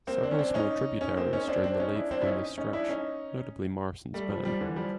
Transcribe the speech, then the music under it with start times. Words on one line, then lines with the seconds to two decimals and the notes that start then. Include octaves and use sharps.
Several small tributaries join the Leith on this stretch, notably Morrison's Burn.
0.07 A#3 C4
0.23 C4 D4
0.31 C#4
0.38 C4 D4
0.54 C#4 D#4
1.01 C#4 D#4
1.17 A#3 C4
1.33 C#4 D#4
1.48 C4 D4
1.64 C4 D4
1.79 C#4 D#4
1.95 D4 E4
2.11 C4 D4
2.22 E4
2.27 C#4 D#4
2.58 C#4 D#4
2.73 D4 E4
2.89 C#4 D#4
4.14 G3 A3
4.30 F3 G3
4.45 F3 G3
4.61 D3 E3
4.76 F3 G3